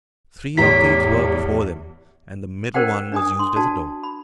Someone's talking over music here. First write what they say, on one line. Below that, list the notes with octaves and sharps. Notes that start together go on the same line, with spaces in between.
Three arcades were before them, and the middle one was used as a door.
E2 A2 G4 C#5 A#5 B6
C#4 A#4 C5 D5 F#5 G5
D4 D5 G#5 D#6
C6
D4 F#4 D5 A5
B5